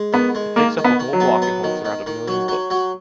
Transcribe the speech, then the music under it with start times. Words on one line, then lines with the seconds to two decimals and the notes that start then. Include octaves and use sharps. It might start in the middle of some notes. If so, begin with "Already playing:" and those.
It takes up a whole block and holds around a million books.
Already playing: G#3
0.13 D#3 B3
0.35 G#3
0.56 D#3 A#3
0.78 D#3
0.84 B3
0.99 D#3
1.13 F#3
1.20 B3
1.42 B3
1.64 D#3
1.85 D#3
2.06 D#3
2.28 F#3
2.48 F#3
2.70 F#3